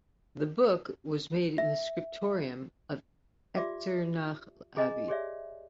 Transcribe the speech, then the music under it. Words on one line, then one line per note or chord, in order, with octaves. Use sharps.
The book was made in the scriptorium of Echternach Abbey.
E5
F4 G4 D5 E5 D6
G#4 D#5 G#5 A#5
G4 G#4 C#5 D5 E5